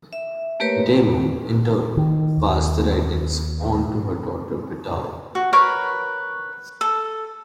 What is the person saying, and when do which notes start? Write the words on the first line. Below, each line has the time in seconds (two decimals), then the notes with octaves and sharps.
Damo, in turn, passed the writings on to her daughter Bitale.
0.13 E5
0.60 A3 A#3 G4 A#4 B4 C#5
1.97 D#3
2.38 D#2
5.35 F#4
5.53 A#4 B4 C#5
6.81 A4